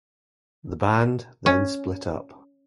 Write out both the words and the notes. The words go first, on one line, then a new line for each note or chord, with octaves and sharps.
The band then split up.
C#4